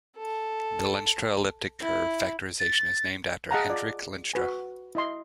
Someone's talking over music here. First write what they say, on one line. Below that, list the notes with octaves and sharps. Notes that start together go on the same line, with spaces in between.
The Lenstra elliptic curve factorization is named after Hendrik Lenstra.
A4
E4
A6
G#4 D#5 F5 F#5 A5 A#5
F4 D5
F#4 B4 G#5
E4 D#5 C6